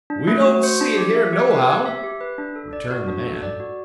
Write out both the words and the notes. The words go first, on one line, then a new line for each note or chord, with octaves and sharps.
"We don't see it here nohow," returned the man.
D4
A3
F#4
C5
D4
G4
E5
G4
B4
G4
E5
G4
B4
D4
A4
D5
F#4
D4
A4
D5
F#4